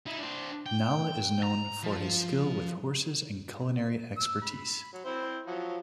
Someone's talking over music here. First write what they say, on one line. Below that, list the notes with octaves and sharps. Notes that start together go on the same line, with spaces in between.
Nala is known for his skill with horses and culinary expertise.
D#4 E4
D4 C5
G5
A#5
F3
E6
B5
F#3
C4 E4 C5
F3 F#3